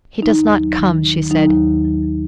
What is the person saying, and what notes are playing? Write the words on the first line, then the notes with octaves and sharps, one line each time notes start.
"He does not come," she said.
D#3 D#4
D#2
F#3
D#3
D#3
D#3
F#3 D#4
D#2
D#3
F#3
F#3